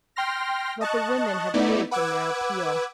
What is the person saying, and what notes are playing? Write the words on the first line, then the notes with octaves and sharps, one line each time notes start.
But the women had faith in their appeal.
G5 C6 F6 A#6
D#5 A5 C#6 F#6
A3 B3 D#4 E4 D5
B4 F#5 D6 E6 G#6